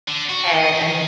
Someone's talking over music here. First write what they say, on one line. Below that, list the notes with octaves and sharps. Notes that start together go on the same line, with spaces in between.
And, I mean,
D3
F#4
D#5
D#3